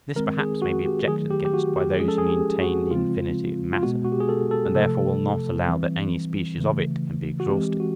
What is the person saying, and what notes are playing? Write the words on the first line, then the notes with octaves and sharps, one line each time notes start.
This perhaps may be objected against by those who maintain the infinity of matter, and therefore will not allow that any species of it can be exhausted.
D#3 G#3 C4 A#4
G#4
F#4
G4
D#3 F#3 A3 G#4
G4
G4
F#4
G4
F3 G#3 C#4 G#4
A4
G#4
G4
F#4
C#3 F3 G#3 C4 F4
F4
B2 G#3 B3 F#4
F#4
G4
G#4
A4
A4
C3 F3 A3 A4
E3 G3 C4
C#3 E3 A3
F#4
E3 G#3 C4 G4
F#4